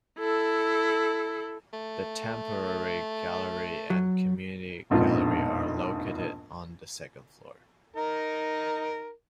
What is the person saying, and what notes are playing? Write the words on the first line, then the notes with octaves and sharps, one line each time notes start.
The Temporary Gallery and Community Gallery are located on the second floor.
E4 A4
A3
F#3
E1 A#1 F2 G#2 B3 F4
D#4 A#4